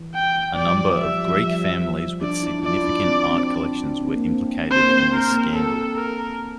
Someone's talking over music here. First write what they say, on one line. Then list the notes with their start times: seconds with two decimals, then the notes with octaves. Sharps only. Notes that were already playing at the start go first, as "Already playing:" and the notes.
A number of Greek families with significant art collections were implicated in this scandal.
Already playing: E3
0.15 G5
0.56 F3 D5
0.66 G3
0.74 F3
0.83 G3
0.93 F3
0.98 G3 E5
1.10 F3
1.20 G3
1.28 F3
1.37 G3
1.46 F3
1.55 G3
1.64 F3
2.21 D4 D5
2.42 E4
2.59 E4
2.63 F4 D5
2.85 D4
3.05 C4
3.18 D4
3.31 C4
3.88 D4
4.01 C4
4.15 A#3
4.28 C4
4.70 C4 C5
4.82 A#3
4.91 C4
5.12 C4 A#4
5.23 C4
5.33 A#3
5.53 A4
5.95 A#4